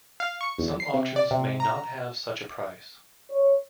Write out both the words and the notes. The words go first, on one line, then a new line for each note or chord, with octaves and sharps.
Some auctions may not have such a price.
F5
C#6
E2
C7
C3
D5
C3
A#5
C#5